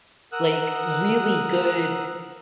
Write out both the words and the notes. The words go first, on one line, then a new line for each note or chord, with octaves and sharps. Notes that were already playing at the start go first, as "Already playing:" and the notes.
like, really good,
A#4 F#5 D#6 E6 F#6